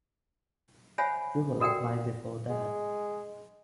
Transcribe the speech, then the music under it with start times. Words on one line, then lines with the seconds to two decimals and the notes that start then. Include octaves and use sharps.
You will apply before that.
0.98 C5 C#5 E5 F#5 G#5 B5
1.60 F#4 A4 A#4 D5 F#5 G5
2.50 G#3